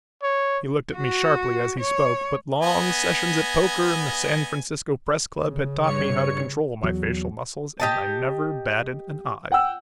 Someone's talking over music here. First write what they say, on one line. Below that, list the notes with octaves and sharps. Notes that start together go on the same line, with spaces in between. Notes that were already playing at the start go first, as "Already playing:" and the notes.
He looked at me sharply as he spoke, but long sessions at poker in the San Francisco Press Club had taught me how to control my facial muscles, and I never batted an eye.
C#5
F#4
C#5
B3 D#5 G#5
C#3
G2 C#5 C#7
E2 F#3
G4 D#5 A5
F#5 G5 E6